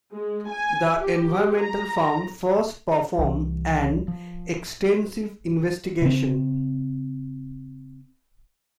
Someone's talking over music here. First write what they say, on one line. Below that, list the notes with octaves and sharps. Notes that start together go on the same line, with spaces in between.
The environmental firm first performs an extensive investigation.
G#3
G#5
G4
A#5
C2 E3
F3
C#3 C4